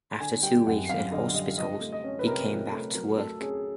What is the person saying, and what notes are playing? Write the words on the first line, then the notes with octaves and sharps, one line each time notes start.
After two weeks in hospitals, he came back to work.
D3 G#5
G3 G5
F#2 F#5
F#2 F5
D3 D#5
G3 D#5
F3 D#5
A3
D#5
C#4
B4
C3 A#4
F3
A3
F#3 A#4
A3 A4
C#4 G#4